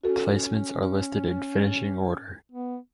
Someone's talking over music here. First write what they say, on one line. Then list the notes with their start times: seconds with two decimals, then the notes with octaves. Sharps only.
Placements are listed in finishing order.
0.04 C#4 F#4 A4
2.52 B3